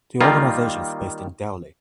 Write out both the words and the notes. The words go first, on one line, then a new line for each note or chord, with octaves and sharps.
The organization is based in Delhi.
D#3 G3 A#3 F4